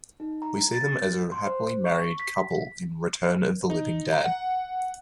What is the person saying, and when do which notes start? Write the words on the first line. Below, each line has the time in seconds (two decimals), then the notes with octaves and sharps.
We see them as a happily married couple in "Return of the Living Dad".
0.20 D#4
0.42 A#5
0.73 A6
1.02 G6
1.32 C6
1.46 C5
1.84 C#6
2.20 B6
3.70 D#4
4.13 A#5
4.25 F#5